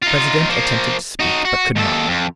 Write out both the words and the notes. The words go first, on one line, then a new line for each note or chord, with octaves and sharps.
The president attempted to speak, but could not.
D#4 F4
F3 A#3
D#4 F#4
F#4
D#2 A4
F2